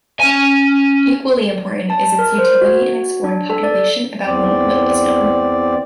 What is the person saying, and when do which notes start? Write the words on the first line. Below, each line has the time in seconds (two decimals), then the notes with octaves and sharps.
Equally important is its utility in exploring population about whom little is known.
0.20 C#4 G#5
1.90 A5
2.19 A#4
2.38 C5
2.62 F#4
3.24 D4
3.50 A4
3.63 D5
4.26 E2 C4 D5